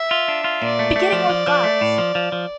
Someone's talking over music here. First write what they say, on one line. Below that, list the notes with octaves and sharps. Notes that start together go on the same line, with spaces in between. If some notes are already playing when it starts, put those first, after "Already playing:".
Beginning with Guards!
Already playing: E5
F4
D4
F4
A#2 D5
A3
A3
F3
F3
F3
A3
A2
F3
F3
F3